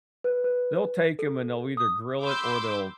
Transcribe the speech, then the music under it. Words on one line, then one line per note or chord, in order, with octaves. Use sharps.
they'll take 'em and they'll either grill it or they'll
B4
B4
A4
D#6
B5 C6 D6 E6 G6